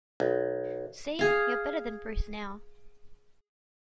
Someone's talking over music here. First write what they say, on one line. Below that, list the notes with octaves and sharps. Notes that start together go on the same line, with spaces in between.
See! You’re better than Bruce now.
B1
G#4 F5